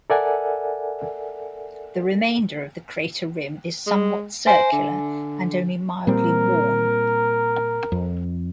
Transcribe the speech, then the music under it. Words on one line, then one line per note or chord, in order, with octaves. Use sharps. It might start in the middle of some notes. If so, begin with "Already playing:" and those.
The remainder of the crater rim is somewhat circular and only mildly worn.
A4 A#4 D5 E5 F#5 G#5
G#3
C5 E5 G#5
D3
A#2 G3 C4 A#4
F2